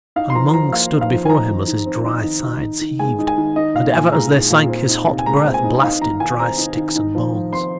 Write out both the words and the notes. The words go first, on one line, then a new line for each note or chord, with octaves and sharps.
And Mung stood before him as his dry sides heaved, and ever as they sank his hot breath blasted dry sticks and bones.
D#4 F5
C6
F3 A#5
F3 A#5
A#3 F5
D#4
F5
F3
G#5
D#4 A#5
D#3
D#3
C4
D#4
D#3
D#4
D#3
D#3
G#3 G#5
D#4
G#5
D#3
D#4 D#5
A#2 F5
A#2 G#5
G#3 A#5
D#4
A#2
C4
D#4
C3
G#5
G#3 A#5
C4
G#5
D#4
D#4 F5
D#3 A#5
D#3 G#5
C4 A#5
D#4
D#3
D#4
F3
F3
C4 C6